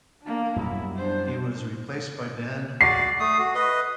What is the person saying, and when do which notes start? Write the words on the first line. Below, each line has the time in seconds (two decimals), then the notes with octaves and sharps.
He was replaced by Dan Hooker.
0.22 A#3 D4
0.56 F#2 B2 G3 E4
0.97 D4 C5
2.81 F#4 D5 C7
3.20 A3 D#6
3.39 F#4
3.55 B4 D#5